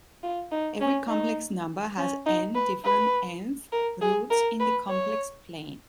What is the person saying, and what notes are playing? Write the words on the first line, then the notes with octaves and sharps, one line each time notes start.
Every complex number has "n" different "n"th roots in the complex plane.
F4
D#4
C#4
D#4
C#4
D#4
B4
B4
A#4
G#4
A#4
B4
C#5